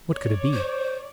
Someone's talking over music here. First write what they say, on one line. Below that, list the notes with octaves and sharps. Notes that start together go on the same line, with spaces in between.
What could it be?
C#5 D5
C5